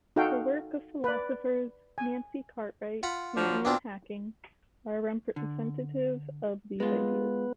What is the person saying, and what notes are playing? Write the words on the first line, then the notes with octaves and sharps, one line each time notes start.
The work of philosophers Nancy Cartwright and Ian Hacking are representative of these ideas.
D#4 F#4 A4 F5 G5
B4 D5
G#5
F4 F#5 B5
F3 F#3 D4
B2 A#3 C4 D4 F4
D3
G#3 B3 F4 B4